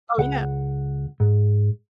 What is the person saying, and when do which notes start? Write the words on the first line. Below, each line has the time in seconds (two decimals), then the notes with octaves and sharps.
Oh, yeah.
0.18 C#2 F#5
1.20 G#2